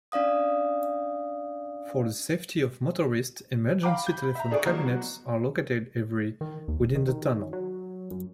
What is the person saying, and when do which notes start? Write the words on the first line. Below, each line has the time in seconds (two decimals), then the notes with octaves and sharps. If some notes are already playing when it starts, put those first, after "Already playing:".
For the safety of motorists, emergency telephone cabinets are located every within the tunnel.
0.12 C#4 D4 D5 F5 D#6
3.83 F5 G5 A#5 B5 D6
4.06 B5 G6
4.35 E5 A#5
4.51 D4 G#4 A4 D5 C#6
4.65 F3 F#3 A#3 D#4 C#5
4.85 F#3 B3 F#4
6.41 D#3
6.68 D#2
6.80 D#1
6.95 D#3
7.08 D#3
7.53 F#3
8.11 F#2